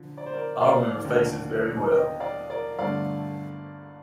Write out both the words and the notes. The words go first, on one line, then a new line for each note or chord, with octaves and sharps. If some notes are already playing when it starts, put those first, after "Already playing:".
I remember faces very well.
Already playing: D3 F3
D5
C5
A#4 D5
D5 F5
D#2 D3 A3
D#5 G5
D5 F5
A#4 D5
G1 G2 D3 A3 D5 F5